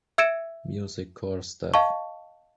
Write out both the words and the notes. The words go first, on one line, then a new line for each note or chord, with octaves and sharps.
Music Core' staff.
E5 E6 G#6 C#7 D7 E7
D#5 F5 A5 C#6